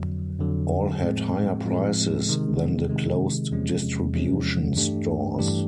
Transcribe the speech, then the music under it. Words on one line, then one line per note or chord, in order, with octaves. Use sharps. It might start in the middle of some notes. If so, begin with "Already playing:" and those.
All had higher prices than the closed distribution stores.
Already playing: F2 D3 F#3
F2 D3 F#3
A2 F3 G#3 C4
A2 F3 G#3 C4
C3 D#3 G#3
C3 D#3 G#3
E2 C3 F3 G#3 C#4
E2 C3 F3 G#3 C#4
G2 E3 A3 D4 G4
G2 E3 A3 D4 G4